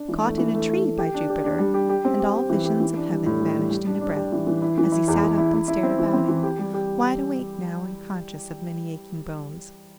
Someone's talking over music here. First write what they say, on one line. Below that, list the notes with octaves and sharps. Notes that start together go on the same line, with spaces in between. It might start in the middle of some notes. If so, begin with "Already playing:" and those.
"Caught in a tree, by Jupiter!" and all visions of heaven vanished in a breath, as he sat up and stared about him, wide awake now, and conscious of many aching bones.
Already playing: D4
E3
A3
E3
A3
A3
A3
G4
D4
G4
D4
G3
G4
G4
C4
G4
G4
E3
G4
E3
D4
G3
A2
G3
G3
G3
D4
D4
G4
E3
E3
E4
E3
E4
E2
E2
E4
E4
E4
C4
E3
C4
E3
G4
G3
G4